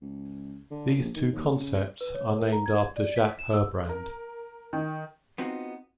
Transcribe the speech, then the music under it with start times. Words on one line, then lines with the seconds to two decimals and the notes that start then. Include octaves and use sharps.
These two concepts are named after Jacques Herbrand.
0.02 C#2
0.71 D3
0.98 A#1
1.16 D#3
1.32 D#2
1.52 C#3
2.01 B4
2.14 C#5
2.39 A#4
2.52 A#5
2.66 G#6
2.97 D5
3.16 B6
3.39 E7
3.53 E6
3.89 A#4
4.73 D#3
5.38 B3 C4 D#4 F4 F#4